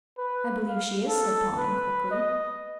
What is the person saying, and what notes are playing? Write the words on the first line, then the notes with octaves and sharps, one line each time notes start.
"I believe she is," said Pauline quickly.
B4
F5
A4
B4
D#5